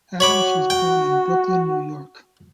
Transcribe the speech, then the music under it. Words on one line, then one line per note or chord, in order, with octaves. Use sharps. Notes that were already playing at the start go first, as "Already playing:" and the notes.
Adams was born in Brooklyn, New York.
F#4 C#5 B5 D6
G5